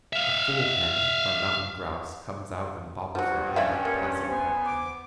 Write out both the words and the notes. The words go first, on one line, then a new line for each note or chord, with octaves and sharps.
A 'fool hen' or mountain grouse comes out and bobbles her head at the passing packtrain.
E5 F5
G2 F3 F#3 F#4
C#4 D5 E5 F5
A#3
B3 C5 G#5
D6